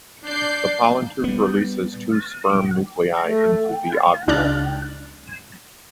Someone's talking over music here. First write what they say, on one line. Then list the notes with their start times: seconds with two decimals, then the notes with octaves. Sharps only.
The pollen tube releases two sperm nuclei into the ovule.
0.25 D4 D5 G6 C7
1.24 G3 B3
3.26 A3
4.28 C#2 D4 D#4 F6 F#6 A6